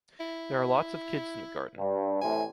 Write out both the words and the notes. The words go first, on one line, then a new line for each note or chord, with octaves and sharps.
There are lots of kids in the garden.
E4
G2
A2 C3 E3 G#5